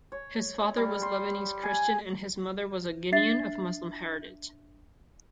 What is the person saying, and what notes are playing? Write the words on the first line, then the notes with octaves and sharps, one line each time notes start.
His father was Lebanese Christian and his mother was a Guinean of Muslim heritage.
C#5
G3
C6
G#5
D4 E5 A6 C7